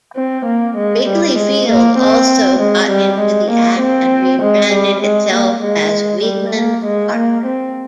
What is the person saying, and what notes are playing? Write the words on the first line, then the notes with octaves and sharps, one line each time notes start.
Wrigley Field also got into the act and rebranded itself as Weeghman Park.
C4
A#3
G#3
G3
G#3
A#3
C4
G#3
G3
G#3
A#3
C4
G#3
G3
G#3
A#3
G#3
G3
A#3
G#3
A#3
C4